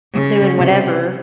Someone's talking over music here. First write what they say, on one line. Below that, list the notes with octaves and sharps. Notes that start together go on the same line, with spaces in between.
doing whatever,
C#3
C3